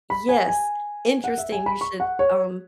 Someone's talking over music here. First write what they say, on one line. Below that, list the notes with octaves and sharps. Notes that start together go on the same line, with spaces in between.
Yes, interesting you should, um,
B5
G#5
G#5
F#5
E5
G#5
B5
C#6
F#5
C#5